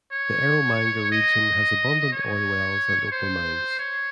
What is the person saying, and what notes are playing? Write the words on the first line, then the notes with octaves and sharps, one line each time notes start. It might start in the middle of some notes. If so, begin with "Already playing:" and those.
The Eromanga region has abundant oil wells and opal mines.
C#5
D#5
C#5
C5
C#5